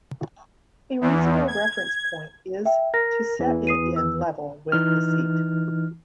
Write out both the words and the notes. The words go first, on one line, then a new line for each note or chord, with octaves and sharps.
A reasonable reference point is to set it in level with the seat.
E2
G#6
E5 G5
A#4 A#6
E2 E3
D#6 C7 D#7
E6
E3 D#4 F6